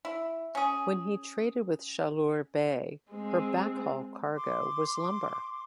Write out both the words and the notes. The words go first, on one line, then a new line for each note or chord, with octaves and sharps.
When he traded with Chaleur Bay her backhaul cargo was lumber.
E4
C#4 G#4
G#3 C4
C6 D6